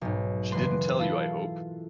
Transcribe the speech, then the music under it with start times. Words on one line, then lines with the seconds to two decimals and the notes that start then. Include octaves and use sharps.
She didn't tell you, I hope?
0.01 B1 G#2
0.52 F#1 E3 B4 C6
0.99 E4 F4 A4 F5